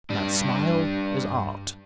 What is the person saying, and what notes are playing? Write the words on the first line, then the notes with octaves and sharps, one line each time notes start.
And that smile is art.
G2 D4